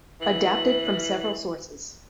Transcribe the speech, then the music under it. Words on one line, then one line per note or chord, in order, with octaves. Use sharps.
Adapted from several sources.
E3 F#7